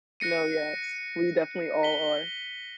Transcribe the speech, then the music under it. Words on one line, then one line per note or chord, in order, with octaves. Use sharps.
No, yes. We definitely all are.
F#6 A#6 C#7 D#7
B6 G7